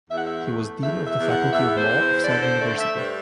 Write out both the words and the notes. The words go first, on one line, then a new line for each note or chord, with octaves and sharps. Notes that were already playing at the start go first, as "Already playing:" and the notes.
He was Dean of the Faculty of Law of said university.
E2 E5
F#5
E5
A3
E2 E5
E5
E2
F#5
E2 E5
C5
E2
C5
D3 D5
C5
A3 D5
E5
G2 C5